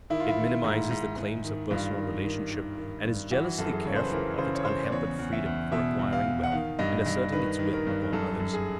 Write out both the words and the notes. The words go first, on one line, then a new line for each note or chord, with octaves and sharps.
It minimises the claims of personal relationship and is jealously careful of its unhampered freedom for acquiring wealth and asserting its will upon others.
D#3 E4
F4
E4
D#3
G#2
G#2
G#2
D#3
G2 F4
D#3
D#3
D#3
D#3
G2
E3 F#4
F#2 A4
G#4
C#3 C#5
C5
B4
E3 A#4
C#3 C5
C#5
C#3 C5
D5
E2 C#5
E2
E5
E2
B2 E5
E2
F5
E2
F#5
D#3 F5
G2 D#5
G2
D#3 B4
D#3
A#4
G2
A#4
F#2 A4
F#2
G#4